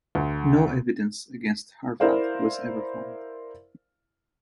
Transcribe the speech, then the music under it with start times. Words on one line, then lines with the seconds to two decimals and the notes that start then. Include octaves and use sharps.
No evidence against Arvad was ever found.
0.15 D2
2.00 E4 A#4 C5 D5 F5